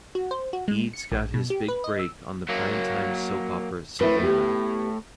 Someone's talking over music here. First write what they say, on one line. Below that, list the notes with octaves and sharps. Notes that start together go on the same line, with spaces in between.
Eads got his big break on the primetime soap opera "Savannah".
F#4
C5
F#4
G#3
C#7
A#1
B2
G4
B4
D#5
E6
F#3 A#3
A2 C4 E4 B4
B3 G4